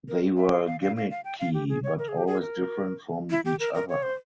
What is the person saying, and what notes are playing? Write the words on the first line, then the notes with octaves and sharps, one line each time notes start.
They were gimmicky but always different from each other.
A#4
E5
F5
F5
F5
F5
F5
G5
F5
G4
G#4
C#5
A#4
G#4
G4
G#4
A#4
E4
G4
A#4
A#4
C#5
C5